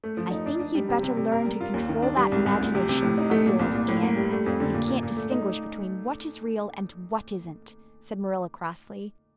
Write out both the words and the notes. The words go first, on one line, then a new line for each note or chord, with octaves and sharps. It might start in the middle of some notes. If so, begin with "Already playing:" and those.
"I think you'd better learn to control that imagination of yours, Anne, if you can't distinguish between what is real and what isn't," said Marilla crossly.
A3
F3
D#4
D4
D4
G3
C3
C3
C3
A#4
G3
F4
D#2
D#3
D4
G3
C2
C2
D2
C3
C3
A2
D#4
A3
A#2
C2
A#2
A2
A#3
G3
A3
F2
D3
A#2
A#2
A#2
A3
D#4